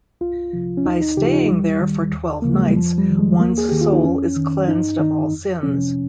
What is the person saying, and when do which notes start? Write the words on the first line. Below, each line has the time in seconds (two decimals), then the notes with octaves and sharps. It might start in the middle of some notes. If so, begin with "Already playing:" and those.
By staying there for twelve nights, one's soul is cleansed of all sins.
0.21 C2 F4
0.53 C3 F3
0.77 C#4
0.85 D#2 D#4
1.01 D#4
1.17 C#3 F3 G4
1.26 F4
1.33 D#4
1.48 D#2 G3
1.80 D#3
2.13 D#2
2.42 C#3 F3 A#3
2.54 G#3
2.66 G3
2.76 F2 F3
2.98 G3
3.09 D#3
3.19 G#3
3.40 D#2 A#3
3.58 G#4
3.69 D#3 G4
3.81 F4
3.93 D#4
4.04 F2 C#4
4.36 D#3
4.68 G2 D#4
4.99 D#3 D#4
5.32 F2
5.63 C3 F3 C#4